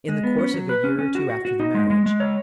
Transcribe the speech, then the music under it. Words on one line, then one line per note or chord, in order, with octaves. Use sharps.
"In the course of a year or two after the marriage."
G#3
B3
C#4
F#3
B4
C#4
C#4
F#4
F#4
F#4
D#4
G#3
G#3
G#3
C#5